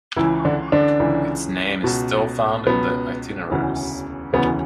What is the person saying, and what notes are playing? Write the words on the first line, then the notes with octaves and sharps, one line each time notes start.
Its name is still found in the Itineraries.
C#2 C#3 E3 E4
D3 D4
D3 D4
C#2 C#3 E3
C#2 B2
C#2 B2 B3
E1 D2 C#3 E3
E1 D2 C#3 E3 B3